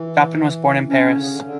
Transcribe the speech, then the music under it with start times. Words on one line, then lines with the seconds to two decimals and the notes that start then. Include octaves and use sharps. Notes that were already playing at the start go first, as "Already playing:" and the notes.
Chapelain was born in Paris.
Already playing: E3
0.87 D3 C#4
1.01 D3
1.15 C#3
1.29 D3
1.43 D3